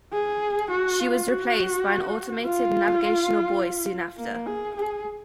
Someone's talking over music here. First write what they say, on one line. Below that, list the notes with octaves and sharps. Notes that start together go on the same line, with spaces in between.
She was replaced by an automated navigational buoy soon after.
G#4
F#4
F4
F#4
F4
A#3
G#4
G#4